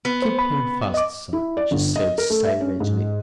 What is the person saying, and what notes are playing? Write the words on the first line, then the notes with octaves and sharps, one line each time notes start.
"Keep him fast, sir," she said savagely.
B3
C5
B5
D#5 D6
E4
D5
G1
D#5
A#4
A3
E5
C#4
G#2